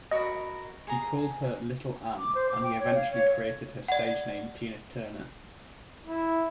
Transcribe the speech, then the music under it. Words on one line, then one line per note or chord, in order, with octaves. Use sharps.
He called her "Little Ann" and he eventually created her stage name Tina Turner.
F#4 A#4 D#5 B5
G#4 A#5
D6
C5
D6
G5
C#5
F5
C#5
D5 F#5
E4